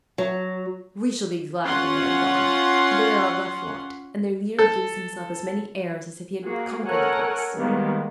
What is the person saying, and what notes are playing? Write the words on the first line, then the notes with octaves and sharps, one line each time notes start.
We shall be glad when they are gone; for they are a rough lot, and their leader gives himself as many airs as if he had conquered the place.
F#3
C#4 F4 F#5 C6
A4
A#3 F#4 G#4
A4 A#4 C#5 F#5 G#5
D#3 G3 G#3 A#3 B3